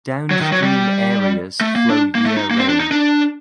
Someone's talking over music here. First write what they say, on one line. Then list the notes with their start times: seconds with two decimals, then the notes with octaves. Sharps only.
Downstream areas flow year round.
0.31 F#3
0.41 D#3
0.52 F#3
0.63 G3
1.61 A3
1.75 A#3
1.90 D4
2.15 A#3
2.26 A3
2.37 D#4
2.51 A#3
2.59 C4
2.69 D4
2.80 D#4
2.91 D4